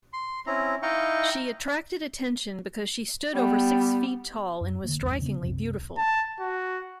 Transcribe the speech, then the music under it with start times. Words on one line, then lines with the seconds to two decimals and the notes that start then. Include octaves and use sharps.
She attracted attention because she stood over six feet tall and was strikingly beautiful.
0.13 C6
0.47 C4 C#4 E4 A#5
0.83 D#4 E4 D#5 F5 G5 C#6
3.34 G3 B3
4.61 F#2
4.84 D3 A#3
5.01 A1 E2 G2
5.21 C#3 A#3 B3
5.43 C2 F#2 C3
5.97 A5
6.40 F#4